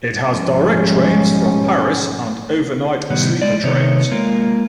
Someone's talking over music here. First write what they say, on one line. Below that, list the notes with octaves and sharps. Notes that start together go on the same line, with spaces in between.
It has direct trains from Paris and overnight sleeper trains.
G#2 B2 F3 G3 G#3 C#4
A2 C3 D#3 G3 B3
G#3 D5
C3 D#3 A3 B3 C#5
G#3 A#3 F4 A#4